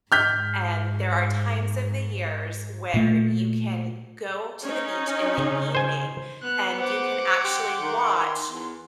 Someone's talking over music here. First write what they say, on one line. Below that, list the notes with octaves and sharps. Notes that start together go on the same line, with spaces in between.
and there are times of the years where you can go to the beach in the evening and you can actually watch
G#2 F6 G6 B6
A#2 A3
C#4 D#4
C#3
C5 G#5
B3 F#6
C5 F#5 D6
G4 C6
D#3
E2